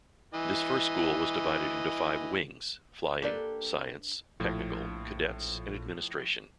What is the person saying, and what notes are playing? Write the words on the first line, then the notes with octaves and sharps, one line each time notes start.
This first school was divided into five "wings": Flying, Science, Technical, Cadets and Administration.
E3 D#5
A#3 D4 G4 A4 B4 D5
A#1 A2 F3